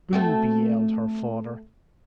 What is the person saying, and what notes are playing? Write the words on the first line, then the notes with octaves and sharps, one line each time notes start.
"Booby!" yelled her father.
A3 C4 F#4